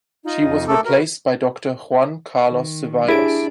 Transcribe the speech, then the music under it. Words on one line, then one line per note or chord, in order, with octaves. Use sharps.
She was replaced by Doctor Juan Carlos Zevallos.
D#4 F4 D#5
F2
A3 A4 A#4 D6
F#4 A#4 B4
D#3
D4 E4 G4 G#4 D7